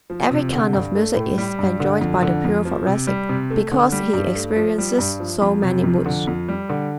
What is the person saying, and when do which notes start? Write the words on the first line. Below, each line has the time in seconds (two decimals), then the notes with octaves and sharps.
Every kind of music is enjoyed by the pure Thoracic because he experiences so many moods.
0.10 F3
0.31 C3
0.53 D3
0.73 G2
0.96 A3
1.16 A2
1.38 G3
1.59 G2
1.80 D3
2.01 F2
2.23 D3
2.44 F2
2.65 F3
2.87 C3
3.07 G3
3.29 C3
3.50 A3
3.72 D3
3.92 G3
4.13 G2
4.35 A3
4.57 F3
4.78 G3
4.98 G2
5.20 F3
5.42 F2
5.62 C3
5.83 F2
6.06 D3
6.27 F2
6.48 G3
6.70 D3